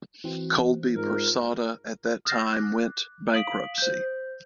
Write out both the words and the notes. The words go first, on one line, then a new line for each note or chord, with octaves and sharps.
Colby Persada at that time went bankruptcy.
E3 C4 F#4
G#2 F4 A#4
D#6 F6 G6 A6 A#6 C7
D6 F#6
F5 D#6 B6 D7 F#7
C5 G6